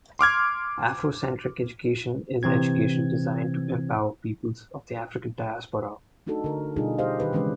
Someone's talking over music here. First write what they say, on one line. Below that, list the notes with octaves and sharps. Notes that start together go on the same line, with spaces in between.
Afrocentric education is education designed to empower peoples of the African diaspora.
C6 D6 F6 G#6
C3 E3 C4 G#6
A3 D4 D#4 F#4 A4
D3 A#4
B2 G3 D4 D#4 F4 G#4
G4 C5 D#5 F5
D#3 G4 B4
C#3 E3 G#3 C#4 D4 B4